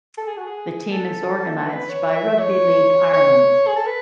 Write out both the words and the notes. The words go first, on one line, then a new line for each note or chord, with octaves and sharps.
The team is organised by Rugby League Ireland.
A4
G#4
F#4
G#4
A4
B4
C#5
E5
C#5
C#5
G#4
A4
B4